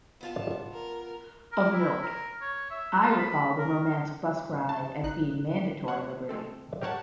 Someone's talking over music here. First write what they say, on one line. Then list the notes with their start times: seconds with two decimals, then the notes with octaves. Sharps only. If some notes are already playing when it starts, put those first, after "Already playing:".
Of note: I recall the Murmansk bus ride as being mandatory liberty.
0.21 B3 F4 A5
0.72 A#4
1.53 A#4
1.73 E4
2.02 A#4
2.42 C#5
2.70 E5
3.02 F4
3.19 B5
3.59 A#4
4.69 A5
5.03 A1 D#4 F#6
5.88 A#3 C#5 F#5
6.29 G#3 A3 C4 A4
6.82 G4 A#4 C#5 F#5 A5